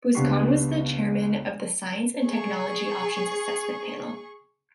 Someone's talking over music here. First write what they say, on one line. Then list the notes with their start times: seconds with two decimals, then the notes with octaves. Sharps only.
Busquin was the chairman of the Science and Technology Options Assessment Panel.
0.15 C#2 B3 D4 G4 C#6 C7
2.25 G#4 C#6